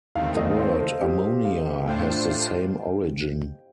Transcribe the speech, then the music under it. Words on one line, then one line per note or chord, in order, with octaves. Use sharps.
The word "ammonia" has the same origin.
D#2 D#3 A3 C4 F5
D#5
C5
A4
G4
F5
A2 A3 D4 F4 C5 G5